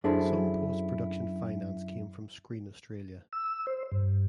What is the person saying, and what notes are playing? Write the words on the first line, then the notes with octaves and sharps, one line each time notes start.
Some post production finance came from Screen Australia.
F#2 D4 E4 G#4 A4 C5
E6
C5
G2